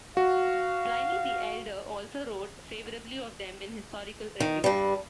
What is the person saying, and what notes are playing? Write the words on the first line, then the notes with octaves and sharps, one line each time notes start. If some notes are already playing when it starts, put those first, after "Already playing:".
Pliny the Elder also wrote favourably of them in historical review.
F#4 F5
D#3
G2 G3